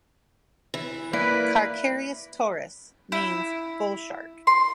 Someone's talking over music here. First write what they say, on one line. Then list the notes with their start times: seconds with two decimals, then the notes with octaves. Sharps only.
"Carcharias taurus" means "bull shark".
0.74 E3
1.13 A#3 E4 B4 D5
3.12 E4
4.47 C6